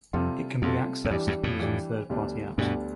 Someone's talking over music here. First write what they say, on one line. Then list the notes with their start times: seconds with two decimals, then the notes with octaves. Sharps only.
It can be accessed using third party apps.
0.13 F2 C3 G3 C4 F4 A4
0.62 F2 C3 G3 C4 F4 A4
1.05 E2
1.11 F2 E3 G3 D4 G4
1.27 E2 G2
1.44 F2 A2
1.60 E3 G3 D4 G4
2.10 D2 D3 G3 B3 D4
2.58 D2 G2 B2 D3 G3 B3 D4